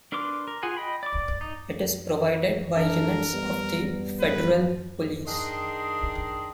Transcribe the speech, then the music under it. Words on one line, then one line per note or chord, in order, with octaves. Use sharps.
It is provided by units of the Federal Police.
D4 A#4 B4 C6 D6
A#4
F4 G#4 F#5 G#5
D#5 G5 B5
D5 D6
D#4
D4 A4 A#4
G3 B3
B4
D#3 D4 G#4 D#5 G5 C6